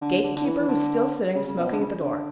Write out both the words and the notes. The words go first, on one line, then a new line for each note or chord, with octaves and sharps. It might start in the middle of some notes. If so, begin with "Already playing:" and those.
The gatekeeper was still sitting smoking at the door.
D3
D3
D3
E3
E3
D3
C#3
C#3
B2
D3
C#3
D3